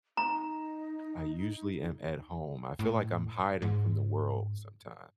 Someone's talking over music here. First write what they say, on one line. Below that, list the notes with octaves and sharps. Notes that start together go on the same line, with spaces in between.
I usually am at home. I feel like I'm hiding from the world sometimes.
D#4 A#5
A2
G#2